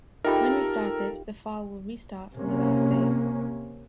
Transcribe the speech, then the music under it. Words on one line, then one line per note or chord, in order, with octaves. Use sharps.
When restarted, the file will restart from the last save.
D#4 F4 G4 A4 A#4 E5 G5 B5
C3 A#3 C#4